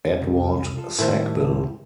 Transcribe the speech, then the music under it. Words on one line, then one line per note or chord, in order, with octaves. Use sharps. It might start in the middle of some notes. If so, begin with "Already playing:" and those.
Edward Sackville.
C2
F4 A4
A2 D#3 G3 A3 E4 A#4 C5